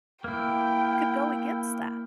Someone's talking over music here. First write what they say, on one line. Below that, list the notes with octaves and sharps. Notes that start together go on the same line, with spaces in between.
could go against that?
A#3 E4 G5